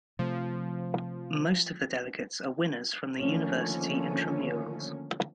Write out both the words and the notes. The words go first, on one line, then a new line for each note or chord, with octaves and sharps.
Most of the delegates are winners from the university intramurals.
C3 F3 A3
D3 D#3 F3 A3 A#3 C#4